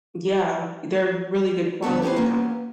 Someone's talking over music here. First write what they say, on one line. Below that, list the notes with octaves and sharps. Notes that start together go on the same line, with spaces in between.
Yeah, they're really good quality now.
D3 G3 B3 A4
C#4 G4 A4 B4 C5
A#3 B3 C#4